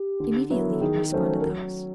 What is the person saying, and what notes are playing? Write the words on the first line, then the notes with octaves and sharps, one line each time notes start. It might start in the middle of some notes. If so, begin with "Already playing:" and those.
"Immediately," responded the host.
Already playing: G4
D3
F#3 B3 E4 B4
A#4
A4
D#3 G#4
F#3 A3 C#4 C5
F#3 A#4